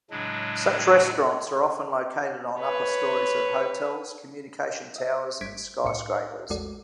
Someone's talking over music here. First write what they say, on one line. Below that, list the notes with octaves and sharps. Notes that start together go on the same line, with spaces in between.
Such restaurants are often located on upper stories of hotels, communication towers, and skyscrapers.
A2 C#3 F#3 G#3 D4
B4 C#5
D#5 E5
G1 G3 G#6 B6 D7
C2 A2 F5 C#7
A#1 E2 G#3 F#4 A4 D5